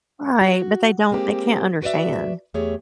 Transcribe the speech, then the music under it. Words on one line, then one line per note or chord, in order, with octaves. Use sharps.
Right, but they don't they can't understand.
F#4
G#3 A#3 C4 G4
F#4 B4 C#5 D5 E5
E2 A3 G4 G#4 C#5